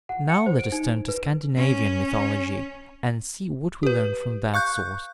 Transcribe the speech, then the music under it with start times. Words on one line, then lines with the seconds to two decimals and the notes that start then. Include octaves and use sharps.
Now let us turn to Scandinavian mythology, and see what we learn from that source.
0.09 F#5
0.29 C#7
0.46 C5
0.59 D7
0.72 D#4
1.08 B4
1.56 C#4
3.83 G4 B4
4.54 F5 C#6 F#6 G6